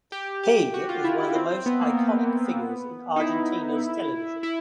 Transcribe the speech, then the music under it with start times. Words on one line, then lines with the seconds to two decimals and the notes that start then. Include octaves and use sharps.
He is one of the most iconic figures in Argentina's television.
0.12 G4
0.43 G4
0.74 F#4
0.89 F4
1.04 E4
1.20 E4
1.35 C4
1.51 C4
1.66 B3
1.81 A#3
1.97 B3
3.16 D#4
3.20 E4
4.43 E4